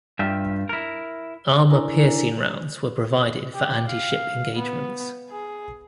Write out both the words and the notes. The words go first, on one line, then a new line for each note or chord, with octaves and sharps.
Armour piercing rounds were provided for anti-ship engagements.
G2 F4 G4 E5
E4 A#4
D4 E4 A#4 D5 G#5 A#5
G4
F5
B3
G#4